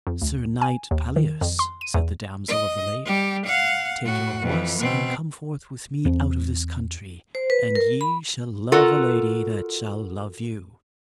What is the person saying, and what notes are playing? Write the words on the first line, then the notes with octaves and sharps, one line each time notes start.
SIR KNIGHT PELLEAS, said the Damosel of the Lake, take your horse and come forth with me out of this country, and ye shall love a lady that shall love you.
F2
D2
G#5
D#2
D#3
F2
C6
D#7
E2
D#5
G3 G4
F5 F#5
A2 F#4
F2 E3
B2 C4
E2 C4
C5
B4
A#4
B5
F4 F#4 A4 A#4 F#5